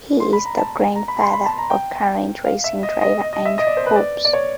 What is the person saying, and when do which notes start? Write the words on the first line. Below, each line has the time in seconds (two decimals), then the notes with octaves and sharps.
He is the grandfather of current racing driver Andrew Hobbs.
0.20 C6
0.33 B5
0.45 A#5
0.57 A5
0.95 A#5
1.08 B5
1.21 C6
1.33 B5
1.46 A5
1.58 A#5
1.70 G5
2.45 F5
2.64 E5
2.83 D#5
3.01 D#5
3.20 D#5
3.33 D#5
3.45 E5
3.58 D#5
3.67 D5
3.77 C5
3.86 B4
3.96 D5
4.25 D5
4.33 C#5